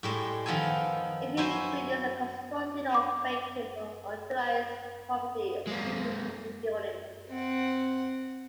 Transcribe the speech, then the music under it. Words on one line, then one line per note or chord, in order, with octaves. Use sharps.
Infill buildings are constructed on vacant or underutilized property or between existing buildings.
A2 G3 G#3
D#3 F3 B3 A4 G#5
F#3 E4 C5 G#5
D6
G#3 A#3
C4 F#5